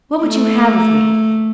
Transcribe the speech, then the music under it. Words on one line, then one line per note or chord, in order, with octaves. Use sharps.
What would you have of me?
A3